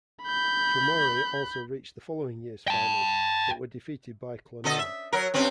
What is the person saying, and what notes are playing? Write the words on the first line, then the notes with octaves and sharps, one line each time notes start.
Dromore also reached the following year's final, but were defeated by Clonoe.
B5 G6
G5 A5
D3 A4 D#5
E5
F#3 A#4
G2 C4 C#4